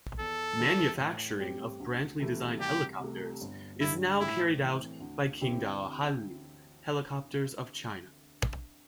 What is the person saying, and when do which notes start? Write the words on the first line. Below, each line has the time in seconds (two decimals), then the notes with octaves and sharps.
Manufacturing of Brantly-designed helicopters is now carried out by Qingdao Haili Helicopters of China.
0.19 E2 A4
0.59 E3 G3 E4
0.99 A2
1.39 G3 C4 G4
1.79 D2
2.20 C3 E3 A3 E4
2.59 C2 G4
3.00 C3 A3
3.41 G1
3.81 G2 D3 G3 E4
4.20 A2 E4
4.60 E3 C4
5.00 D2
5.41 D3 C4 E4 G4